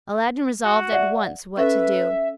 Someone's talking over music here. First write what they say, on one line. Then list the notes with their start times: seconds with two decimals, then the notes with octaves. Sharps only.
Aladdin resolved at once what to do.
0.65 F#4
0.92 D5 E5 F#5
1.57 C#4 A4 B4 E5